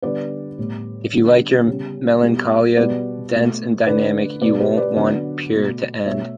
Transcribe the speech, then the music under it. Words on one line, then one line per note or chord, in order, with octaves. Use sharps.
If you like your melancholia dense and dynamic, you won't want "Pure" to end.
D3 G3 B3 B4 D5
A2 G3 B3
D3 G3 B3
C#3 G3 B3
B2 G3 B3
B2 G3 B3 B4 D5
B2 A3
D3 A3 B4 D5
B2 A3 B4 D5
G4 B4
B4 D5
D3 F#3 B3 B4 D5
B2 A3
B2 A3 C#5 E5